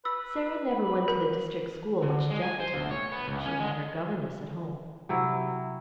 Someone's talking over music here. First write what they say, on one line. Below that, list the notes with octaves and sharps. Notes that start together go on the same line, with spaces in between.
Sara never went to the district school which Jeff attended; she had her governess at home.
B4 E6
A#4
D3
G#3
G#5
C5
D2
C#5
B3
C#2
C#4
G#3
C3 F#3 E4